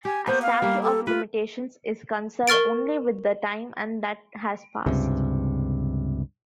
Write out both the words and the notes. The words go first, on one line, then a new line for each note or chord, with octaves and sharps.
A statute of limitations is concerned only with the time that has passed.
G4 G#5
A#3 B3 C5
F5
G3 A#3
A4
F4 B4
A#4 C#6 F6 A6 D7
C#2 G2 C3